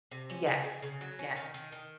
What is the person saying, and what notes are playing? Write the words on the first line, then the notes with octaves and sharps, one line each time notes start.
Yes, yes.
C3
C#4
C#3
C#3
C#3
F#3
C#4
D#3
D#3
D#3